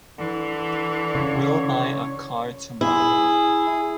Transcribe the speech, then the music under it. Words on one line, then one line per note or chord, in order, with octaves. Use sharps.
We'll buy a car to-morrow.
D3 E3
C#3 C#5
E4 G#4